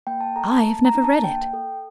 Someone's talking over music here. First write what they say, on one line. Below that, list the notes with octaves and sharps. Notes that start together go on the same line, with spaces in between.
"I have never read it."
A#3 G5
A5
A4 A#5
A5
A#3
A#5
D4
A5
A#3 G5
A4